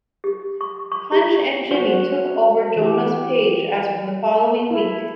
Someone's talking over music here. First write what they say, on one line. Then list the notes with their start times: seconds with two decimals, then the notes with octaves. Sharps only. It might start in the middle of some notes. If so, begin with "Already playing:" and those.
Punch and Jimmy took over Jonah's page as from the following week.
0.24 G4
0.61 C#6
0.92 C#6
1.12 G4
1.71 F#4 C5
2.76 E3 G4
4.71 E4